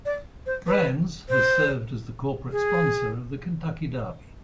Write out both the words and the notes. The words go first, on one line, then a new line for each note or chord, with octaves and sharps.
Brands has served as the corporate sponsor of the Kentucky Derby.
D5
C5
B4
C5
G#4